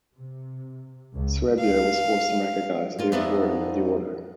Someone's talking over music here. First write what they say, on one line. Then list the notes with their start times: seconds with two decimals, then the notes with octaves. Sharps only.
Suerbeer was forced to recognize the authority of the Order.
0.16 C3
1.15 C#2
1.59 F5
2.98 A#3 F4
3.12 F2 B3 D#4 D5 E5 F#5